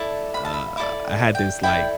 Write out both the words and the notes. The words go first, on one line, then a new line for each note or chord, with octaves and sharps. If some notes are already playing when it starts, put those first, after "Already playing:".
uh, I had this like
Already playing: E4 A4 D5 A5
B5
A5
B5
E4 A4 D5 D6
G5
E4 A4 D5 G5